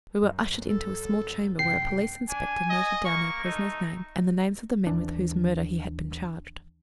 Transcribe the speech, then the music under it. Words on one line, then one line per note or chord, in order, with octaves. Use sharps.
We were ushered into a small chamber where a police Inspector noted down our prisoner's name and the names of the men with whose murder he had been charged.
F#2
A4
F#2 C3 G5 C7
D4 G#5
D#5
A#3 C#6
A3 D#4
D#2 E3 D4